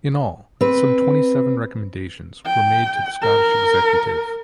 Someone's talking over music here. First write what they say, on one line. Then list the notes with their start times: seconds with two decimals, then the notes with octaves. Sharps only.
In all, some twenty seven recommendations were made to the Scottish Executive.
0.61 C4 B4
2.46 G5
3.22 A#4